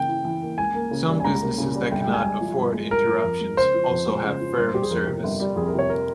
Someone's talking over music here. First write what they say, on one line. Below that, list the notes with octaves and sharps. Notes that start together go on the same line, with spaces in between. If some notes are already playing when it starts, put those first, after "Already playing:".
Some businesses that cannot afford interruptions also have firm service.
Already playing: C#3 E3 A#3 G5
E4
E3
A#3
C#2 G#5
A#3
C#3
G3
G#5
C#2 A#5
A#3
C#3
G3
G1 G5
G5
G#3
G#5
G5
G2 G#5
F3
G1
G#3
G2 A#4
F3
F2
G#3
C#3 C5
F3
F2
G#3
C#3
F3
G1
G3 G4
G#4
F2 A#4
C3
G1
G3
F2 G#4
A#4
C3
C#5
A#4